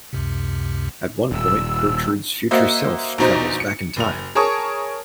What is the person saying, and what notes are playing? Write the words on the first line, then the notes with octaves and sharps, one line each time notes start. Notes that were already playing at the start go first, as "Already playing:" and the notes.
At one point, Gertrude's future self travels back in time.
C#2 F#2 C3
D#1 E6
A#3 F#4 C5 D#5 E5
A#1 B2 D#4 C5 A#5
C#7
F#1 F7
G#4 A#4 C#5 A5 C#6 D#6